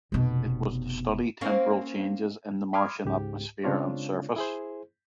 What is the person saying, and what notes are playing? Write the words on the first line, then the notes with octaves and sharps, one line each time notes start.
It was to study temporal changes in the Martian atmosphere and surface.
F1 B2
A#3 C4 C#4
B5 C6 D6 D#6 F6 G#6
C#2 G#2 G4
C#3 G#3 C4 D4 F4 C#5
E4 G#4 C5